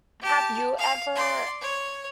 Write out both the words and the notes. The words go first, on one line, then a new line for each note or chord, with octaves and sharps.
Have you ever
G4 A5
F5
D5 C6
C#5